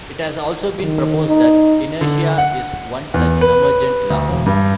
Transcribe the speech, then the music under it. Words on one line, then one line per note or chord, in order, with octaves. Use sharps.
It has also been proposed that inertia is one such emergent law.
D#3
D#4
D3
F#5
E2
B4
D2
E1
G2